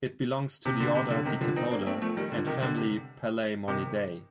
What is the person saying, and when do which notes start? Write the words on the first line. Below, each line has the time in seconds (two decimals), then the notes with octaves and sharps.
It belongs to the order Decapoda and family Palaemonidae.
0.65 C3
0.80 D3
0.95 C3
1.11 D3
1.25 C3 D#3
1.41 D3 F3
1.56 C4 D#4
1.71 A#3 D4
1.86 A3 C4
2.02 F3 A3
2.17 D#3 G3
2.32 D3 F3
2.47 C3 D#3
2.62 D3
2.77 C3
3.68 C3 D#3